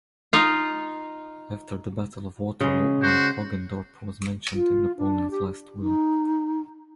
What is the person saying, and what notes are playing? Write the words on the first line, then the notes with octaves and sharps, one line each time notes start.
After the Battle of Waterloo Van Hogendorp was mentioned in Napoleon's last will.
D#4 F4
C#3 G#3
F#4 C5
F4
D4
G4
D#4